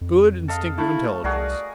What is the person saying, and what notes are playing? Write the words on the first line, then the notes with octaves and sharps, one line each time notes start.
Good instinctive intelligence.
F2
A4 D#5 F5
A3 E4
C2 F#4 G#4 A#4 D5